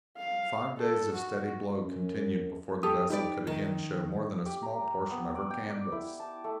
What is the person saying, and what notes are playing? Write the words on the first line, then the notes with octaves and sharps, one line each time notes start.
Five days of steady blow continued before the vessel could again show more than a small portion of her canvass.
F5
A4
F#4
F#2
G4 A4 D#6
D#4 G4 B4 D5
D#3
G4
A#5
B3
D5
G5
D5
E4
A5
A3